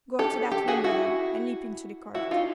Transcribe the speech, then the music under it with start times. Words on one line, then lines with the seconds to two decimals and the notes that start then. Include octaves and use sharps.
Go to that window, then, and leap into the court.'
0.19 G4 A4
0.51 G4 A4
0.68 F#4 G#4
0.84 E4 F#4
2.15 E4 F#4
2.31 D#4 F4